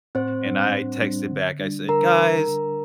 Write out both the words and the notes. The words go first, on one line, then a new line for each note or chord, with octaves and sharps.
And I texted back, I said, “Guys"
A2 C4 C5
G3 D4
A2
G3 D4
D3
G3 D4
D3 A#4 A#5